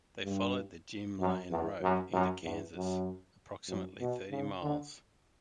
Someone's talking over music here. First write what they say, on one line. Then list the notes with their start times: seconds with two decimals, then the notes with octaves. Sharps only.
They followed the "Jim Lane Road" into Kansas approximately thirty miles.
0.24 G2
1.19 F#2
1.51 E2
1.82 F#2
2.13 F#2
2.43 E2
2.76 F#2
3.68 F#2
4.00 B2
4.31 C#3
4.62 D3